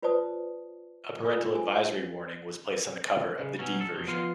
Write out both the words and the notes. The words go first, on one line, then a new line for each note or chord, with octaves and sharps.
A Parental Advisory warning was placed on the cover of the D Version.
F4 B4 C5 D5 A5 D#6
F4 A4 G#5 D#6 E6
G#5
C#3
B2 F#3 C#4
A4
F2 D#3
F3 B3 F5 C6